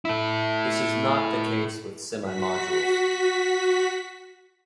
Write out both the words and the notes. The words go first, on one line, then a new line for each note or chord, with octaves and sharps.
This is not the case with semimodules.
E4 A4
F#4 B6